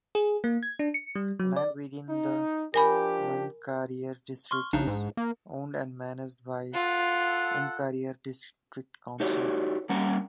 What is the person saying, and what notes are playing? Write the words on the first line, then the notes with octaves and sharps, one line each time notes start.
Land within the Waimakariri District is owned and managed by the Waimakariri District Council.
G#4
A#3
G#6
D4
C#7
G3
F#3
D5
D#4
F3 D4 G4 A#4 G#5 B5
C6 C#6 F6
A#1 C#3 D4 D#4
G#2
A#3
F4 A4 F#5
D#4 F#4 G4 C#5 D5
G3 A#3 C#4 F#5 A#5